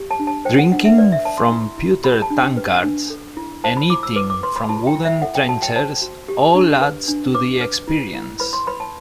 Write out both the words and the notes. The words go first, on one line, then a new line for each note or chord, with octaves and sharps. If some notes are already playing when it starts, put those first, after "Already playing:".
Drinking from pewter tankards and eating from wooden trencher all adds to the experience.
Already playing: G4
A5
D4
A5
C5 G5
F#5
D4 F#5
E5
B4 D5
E5
B4 A5
C6
E4
E4
G4 B5
A5
D4
G5
B4
D4
A4
E4
C5 A5
B5
E4 D6
E6
B4 D6
D6
B4 C6
B5
E4 A5
G5
E4
E5
A4 F#5
G5
F#4 A5
G5
C5 A5
F#4
G4
D4
B4
D4
B4 D6
B4
E4
E4
B4 B5
C6
B4 B5
A5